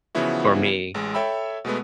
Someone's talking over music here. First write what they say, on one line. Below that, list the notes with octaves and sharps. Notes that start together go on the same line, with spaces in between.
for me,
C#3 E3 F3 B3 E4 F#4
A1 G#3
A4 C#5 E5 G5 B5 E6
B2 G#3 A3 B3